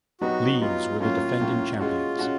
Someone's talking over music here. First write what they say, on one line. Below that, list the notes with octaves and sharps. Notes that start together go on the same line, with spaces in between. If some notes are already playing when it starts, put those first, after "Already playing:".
Lees were the defending champions.
F#3 B3 D#4 F#4 G4
F#3 B3 D#4 F4 G4
A2 F#3 A#3 C#4 F4
A2 F#3 A#3 C#4
G#3 C#4 F4 F#4
G#3 C#4 F#4